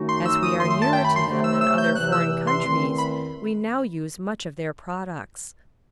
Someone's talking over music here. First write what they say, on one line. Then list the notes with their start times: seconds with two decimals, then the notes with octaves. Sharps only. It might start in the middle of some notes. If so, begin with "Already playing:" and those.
As we are nearer to them than other foreign countries we now use much of their products.
Already playing: F#2 D#3 A3 D#4 F#4
0.09 C6
0.25 E6
0.43 D#6
0.59 F#2 D#3 A3 C6
0.70 C6
0.82 A5
0.93 G5
1.04 B5
1.16 C6
1.28 C3 F#3 A3
1.44 E6
1.61 E6
1.78 G6
1.95 E2 C3 E3 F#6
2.12 E6
2.47 C6
2.64 E2 D#3 A3 C4
2.98 B5